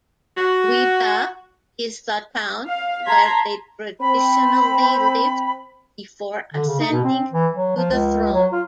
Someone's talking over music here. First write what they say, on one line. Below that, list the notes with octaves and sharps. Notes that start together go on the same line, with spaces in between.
Guiba is the town where they traditionally lived before ascending to the throne.
F#4
F5
A5 A#5 C6 G#6 B6
C4 B5
D3
C#3
D#4
B2
C4
E3
F#3
F3
C#2
F#3
F4